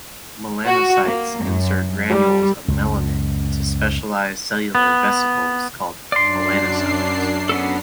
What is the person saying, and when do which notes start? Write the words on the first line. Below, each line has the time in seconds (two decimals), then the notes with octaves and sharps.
Melanocytes insert granules of melanin into specialized cellular vesicles called melanosomes.
0.66 F#4
1.06 A#3
1.43 F#2
2.10 G3
2.68 C#2 F#2
4.75 B3
6.12 F#2 D4 D5 C6 C7
7.49 B3 C#4 A4 A#5